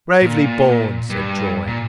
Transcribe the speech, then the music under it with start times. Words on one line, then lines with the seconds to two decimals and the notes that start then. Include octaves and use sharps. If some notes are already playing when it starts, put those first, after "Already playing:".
"Bravely borne!" said Troy.
0.22 A#2
1.10 G2
1.67 A#2